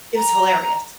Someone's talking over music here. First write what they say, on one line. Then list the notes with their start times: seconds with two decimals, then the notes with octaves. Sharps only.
It was hilarious.
0.15 A#5